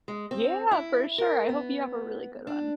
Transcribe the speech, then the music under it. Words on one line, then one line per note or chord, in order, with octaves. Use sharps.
Yeah, for sure. I hope you have a really good one.
G#3
C4
E4
A#4
B3
D4